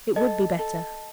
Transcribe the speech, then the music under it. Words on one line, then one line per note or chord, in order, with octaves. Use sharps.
It would be better.
A4 D#5
A4